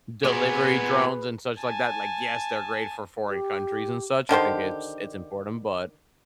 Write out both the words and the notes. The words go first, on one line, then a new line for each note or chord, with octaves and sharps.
delivery drones and such like that, like, yes, they're great for foreign countries and such, I think it's it's important, but
A#2 B3 G#4 B4 C#5 D5 G#5
G#5 A5
G4
D3 D#3 G4 C5